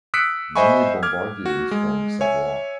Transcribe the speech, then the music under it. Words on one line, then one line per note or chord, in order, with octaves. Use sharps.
Nini Bombardier is from Savoie.
D#6 E6 F#6 B6 C#7 D7
C5 D#5 E5 G#5 B5 C#6
D6 F6 G#6
F#4
G#3
C#5 E5 G#5